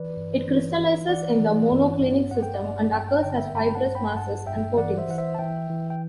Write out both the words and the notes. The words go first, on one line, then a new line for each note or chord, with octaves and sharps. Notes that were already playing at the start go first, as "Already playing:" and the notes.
It crystallizes in the monoclinic system and occurs as fibrous masses and coatings.
Already playing: E3 B4 D5
G2
E3
E3
E3 D5 F#5
E3
G2
G2
G2 F#5
G5
D5 F#5
G2
G2 G5
A5
G5
A5
D3 G5
A5
E5 G5
G2 G5 B5
F#5 A5
G2
G5 B5
G2 F#5 A5
G2 E5 G5
E3 D5 F#5
C5 E5
E3 F#5
C5 E5
A5
E3 E5 G5
E3
G5